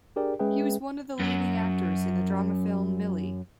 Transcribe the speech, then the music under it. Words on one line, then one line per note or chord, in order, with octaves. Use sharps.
He was one of the leading actors in the drama film "Millie".
D4 G4 G#4 A#4 D5 G5
G#3 C#4 G#4 B4 E5 G5
F#2 F#3